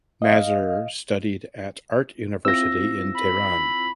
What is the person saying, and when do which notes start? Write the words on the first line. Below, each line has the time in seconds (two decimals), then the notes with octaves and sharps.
Nazer studied at art university in Tehran.
0.22 D#5 F5
2.45 C4 E4 F4 E6 A#6
3.16 B5